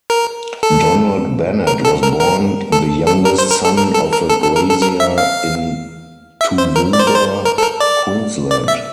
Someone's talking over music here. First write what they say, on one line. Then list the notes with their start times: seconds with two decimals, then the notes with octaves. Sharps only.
Donald Bennett was born the youngest son of a grazier in Toowoomba, Queensland.
0.10 A#4
0.63 A4
1.67 A#4
1.85 A4
2.03 A#4
2.20 A#4
2.72 A4
3.07 A4
3.25 A#4
3.39 C5
3.51 A#4
3.65 A4
3.77 A#4
3.94 A4
4.13 A#4
4.29 A4
4.43 A4
4.56 A#4
4.70 A4
4.82 A#4
5.00 E5
5.18 F5
6.41 E5
6.58 C5
6.76 A#4
6.93 D5
6.99 C5
7.07 A#4
7.15 C5
7.45 A#4
7.58 A4
7.62 A#4
7.80 D5
8.51 D5
8.68 E5